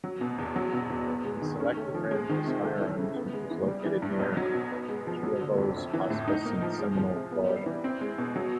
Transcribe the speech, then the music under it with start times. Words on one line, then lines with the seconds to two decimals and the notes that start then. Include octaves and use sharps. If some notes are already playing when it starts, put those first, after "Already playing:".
He selected Randall's Firearms, which was located near Schiavo's hospice in Seminole, Florida.
0.04 F#3
0.21 B2
0.38 E2
0.56 F#3
0.73 B2
0.90 E2
1.07 B3
1.25 G#3
1.42 D#3
1.60 C#4
1.77 A3
1.95 F3
2.11 G#3
2.29 D#3
2.47 C3
2.64 A3
2.81 E3
2.99 C#3
3.16 B3
3.33 G#3
3.51 E3
3.68 G3
3.85 E3
4.02 G2
4.19 B1
4.37 F#3
4.55 B2
4.72 B3
4.89 G#3
5.07 F3
5.23 F#3
5.41 D3
5.58 F2
5.76 A#1
5.93 E3
6.10 A2
6.28 D#4
6.45 A#3
6.62 F3
6.79 G#3
6.97 F3
7.15 C3
7.32 B3
7.49 G3
7.66 E3
7.84 C4
8.01 G#3
8.18 B2
8.36 F#3